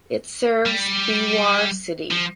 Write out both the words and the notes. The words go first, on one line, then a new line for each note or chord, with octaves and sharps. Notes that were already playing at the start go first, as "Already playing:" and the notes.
It serves Beawar city.
G3
F3